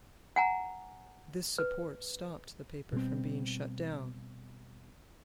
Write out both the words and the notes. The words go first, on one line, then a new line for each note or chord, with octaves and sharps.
This support stopped the paper from being shut down.
F#5 G#5 A#5
B4
B2 G3 C4